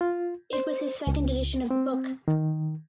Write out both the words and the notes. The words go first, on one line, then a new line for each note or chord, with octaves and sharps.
It was his second edition of the book.
F4
C5
C#2
C4
D#3